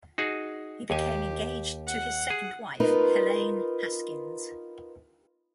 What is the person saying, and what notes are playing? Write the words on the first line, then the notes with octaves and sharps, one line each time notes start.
He became engaged to his second wife, Helene Haskins.
D#4 F#4 G#4
D#2 G4 G#5
F#5
G#4
B3 D#4 F4 A#4 B4